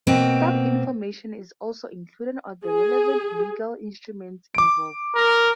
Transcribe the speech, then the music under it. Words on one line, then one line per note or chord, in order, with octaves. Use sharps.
Some information is also included on the relevant legal instruments involved.
B2 A#3 C4
G#4
D6 D7
A#4